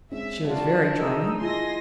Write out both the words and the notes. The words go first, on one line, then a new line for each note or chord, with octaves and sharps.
She was very charming.
G#3 C4 C#4 E5
D4 F4 F#4
D#4 G#4 A#4 D#5 E6
E4 F4 G#4 D#5 G#5 C6 A#6